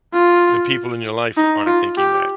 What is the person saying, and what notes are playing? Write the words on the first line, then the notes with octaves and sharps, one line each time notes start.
the people in your life aren't thinking that.
F4
D#4
F4
G4